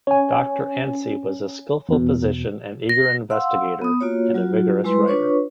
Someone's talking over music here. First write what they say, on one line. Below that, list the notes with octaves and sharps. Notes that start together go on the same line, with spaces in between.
Doctor Anstie was a skilful physician, an eager investigator, and a vigorous writer.
C#4 C#5 G#5
E2 B2
A#6
F5 F#5 C6 E6
B3 D#6
A#3 F4 F#4 C#5
F#3 F4 F#4
G3 G#3 E4 B4 C6
D4 F4 B4 C#5 C#6